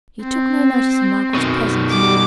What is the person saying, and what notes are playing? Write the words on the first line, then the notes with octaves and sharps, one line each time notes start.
He took no notice of Margaret's presence.
C4
B2 D#3
G3 D6